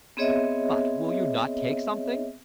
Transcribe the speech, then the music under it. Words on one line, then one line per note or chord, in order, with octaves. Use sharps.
But will you not take something?
B3 C4 G#4 C#5 D#5 E5